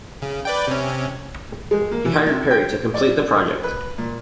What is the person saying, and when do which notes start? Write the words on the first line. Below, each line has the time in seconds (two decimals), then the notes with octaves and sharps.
He hired Perry to complete the project.
0.22 C#3
0.45 B4 D5 G5
0.68 C3 C#4
1.71 G#3
1.92 A#3
2.05 E3
2.26 C3
2.51 G5
2.94 D5
3.63 B4
3.98 A#2